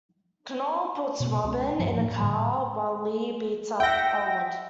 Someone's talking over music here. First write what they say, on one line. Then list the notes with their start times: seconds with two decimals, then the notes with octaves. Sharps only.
Knoll puts Robyn in a car while Lee beats up Elwood.
1.20 B2 B3
1.43 C#2 G#3 B3 C#4
1.79 G2 F3 G3
1.98 A2 A#3
2.20 A2 D3 G3
3.80 E5 F#5 G5 A#6